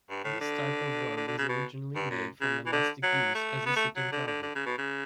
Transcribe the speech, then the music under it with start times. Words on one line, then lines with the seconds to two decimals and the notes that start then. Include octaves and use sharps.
This type of rug was originally made for monastic use as a sitting carpet.
0.10 G2
0.24 A2
0.41 D3
1.17 D3
1.27 D3
1.38 C#3
1.49 B2
1.95 G2
2.10 F#2
2.41 C#3
2.66 E3
2.72 D3
3.03 F#3
3.35 A3
3.66 B3
3.76 A3
3.96 F#3
4.12 D3
4.27 D3
4.42 D3
4.55 C#3
4.66 B2
4.78 C#3